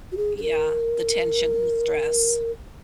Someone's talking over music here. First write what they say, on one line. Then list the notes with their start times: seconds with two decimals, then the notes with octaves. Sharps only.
Yeah, the tension and the stress.
0.12 F#4
0.17 G#4
0.38 G#4
0.43 A#4